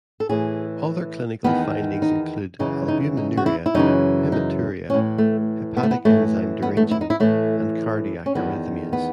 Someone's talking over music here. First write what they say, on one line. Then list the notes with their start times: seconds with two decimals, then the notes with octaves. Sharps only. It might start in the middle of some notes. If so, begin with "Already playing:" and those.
Other clinical findings include albuminuria, hematuria, hepatic enzyme derangement, and cardiac arrhythmias.
0.20 A4
0.29 A2 E3 G#4
1.44 E2 D#3 B3
2.02 D#4
2.59 F#2 C#3 E3 D#4
2.88 D#4
3.17 D#4
3.37 F#4
3.46 E4
3.66 E4
3.74 F#2 C#3 E3 D#4
4.32 D#4
4.90 E3 C#4
4.94 A2
5.18 A3
5.77 B3
5.83 A3
5.91 B3
6.05 A2 E3 A3
6.62 B3
6.77 A3
6.91 E4
7.01 D#4
7.10 E4
7.20 A2 E3 A3
8.26 C#4
8.35 E2 D#3 B3
8.93 B3